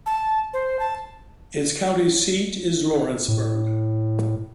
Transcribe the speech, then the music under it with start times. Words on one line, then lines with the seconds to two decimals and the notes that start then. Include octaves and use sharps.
Its county seat is Lawrenceburg.
0.06 A5
0.53 C5
0.79 A5
3.28 A2